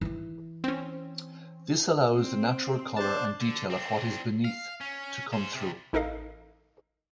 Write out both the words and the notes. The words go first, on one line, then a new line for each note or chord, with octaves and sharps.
This allows the natural color and detail of what is beneath to come through.
E3 E4
C4 C#4
C4
D4 C5 A5
D3
C4 D4
F5
C#4
G#3 C5
C3 G3
A1 D#4 A4 A#4 D#5 F5